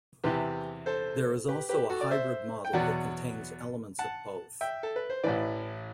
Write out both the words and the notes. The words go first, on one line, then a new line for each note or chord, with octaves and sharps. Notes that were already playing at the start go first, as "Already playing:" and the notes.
There is also a hybrid model that contains elements of both.
E2 C3 E3 G4 B4
A4 C5
G4 B4
G4 B4
F#4 A4
D5
C5 E5
G5
E2 B2 F#3 D5 F#5
F#5 A5
E5 G5
A4
B4
C5
A1 A2 E3 B4 D5